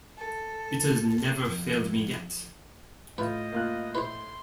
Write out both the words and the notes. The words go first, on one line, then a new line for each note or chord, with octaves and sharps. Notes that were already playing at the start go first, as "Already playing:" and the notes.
It has never failed me yet.
A4
F2
A2 F4 B4 D#5
A#3 F4 F#6
E4 B4 C5 C6